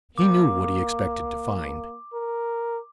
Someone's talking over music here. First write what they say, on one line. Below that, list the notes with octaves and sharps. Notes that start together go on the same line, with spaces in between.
He knew what he expected to find.
A#3 D6
A#4